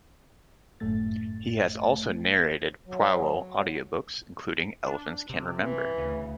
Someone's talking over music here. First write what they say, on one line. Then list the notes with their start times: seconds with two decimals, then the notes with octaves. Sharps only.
He has also narrated "Poirot" audiobooks, including "Elephants Can Remember".
0.80 G1 F#2 A2 A3 A6
2.86 F#3
4.86 D4
5.30 C3 C4
5.64 E3
5.98 D2 C#3